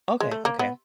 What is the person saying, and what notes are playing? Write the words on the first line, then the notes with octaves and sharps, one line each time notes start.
Okay, okay.
G#3
A3
A#3
B3